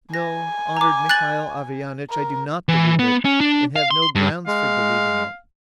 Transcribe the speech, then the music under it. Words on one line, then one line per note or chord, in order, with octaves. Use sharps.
"No, honoured Mihail Averyanitch; I do not believe it, and have no grounds for believing it."
G#5 A#6
A#5 D6
F#6 A6 F#7
A#4
E3
B3
C#4
D4
F5
C6
G2
G#3 F5